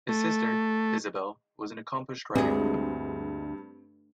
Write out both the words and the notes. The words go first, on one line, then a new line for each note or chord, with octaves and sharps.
His sister, Isabel, was an accomplished writer.
A3
D2 G2 G#3 C4 G#4